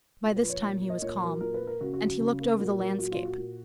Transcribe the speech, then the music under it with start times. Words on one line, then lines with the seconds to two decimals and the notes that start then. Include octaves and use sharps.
By this time he was calm, and he looked over the landscape.
0.23 A#2
0.37 B4
0.43 F3
0.49 C#5
0.63 A#2
0.82 A#3
0.90 D#5
1.02 A#2 C#5
1.21 F#3 A#4
1.41 A#2 A#4
1.54 B4
1.61 A#3
1.67 A#4
1.81 C#3 F#4
1.94 F#4
2.00 F#3
2.07 F#4
2.20 C#3
2.39 A#3
2.59 A#2 F#4
2.79 F#3 A#4
2.98 A#2 F#4
3.12 F4
3.18 A#3
3.25 F#4
3.38 A#2